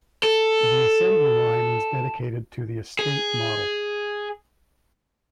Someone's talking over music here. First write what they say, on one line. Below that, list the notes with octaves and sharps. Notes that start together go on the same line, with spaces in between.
The assembly line was dedicated to the estate model.
A4
G#4